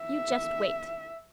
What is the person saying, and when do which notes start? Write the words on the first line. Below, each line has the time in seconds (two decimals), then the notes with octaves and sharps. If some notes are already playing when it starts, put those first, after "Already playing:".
"You just wait!"
Already playing: E5